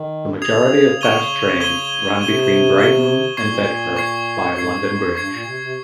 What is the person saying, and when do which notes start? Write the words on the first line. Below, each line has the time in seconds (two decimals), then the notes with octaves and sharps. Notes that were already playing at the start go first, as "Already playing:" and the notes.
The majority of fast trains run between Brighton and Bedford via London Bridge.
Already playing: D#3
0.42 C#3 D#6 G#6 C7 F7
1.01 C#6 G#6 D#7 G7
1.60 C#6 G#6 D#7 G7
2.19 C3 C#6 G#6 D#7 G7
2.78 C#6 G#6 D#7 G7
3.37 A#2 C#6 G#6 C7
3.96 C#6 G#6 C7
4.56 G#2 C#6 G#6 C7
4.71 G2
4.85 G#2
5.00 F2
5.15 G2 C#6 G#6 C7
5.30 A#2
5.44 C3
5.60 C3